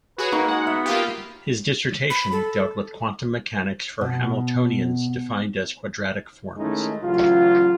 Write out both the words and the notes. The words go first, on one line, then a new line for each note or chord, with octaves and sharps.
His dissertation dealt with "Quantum mechanics for Hamiltonians defined as quadratic forms".
F#4 G#4 B4 C#5
A#3 D#4 F#4
G#3 F#5
B3 E5
A#3 F4 G4
B5
A4
B2
D#3 G#3 A3 C#4 D#4 E4
A1 C#3 F#3 F4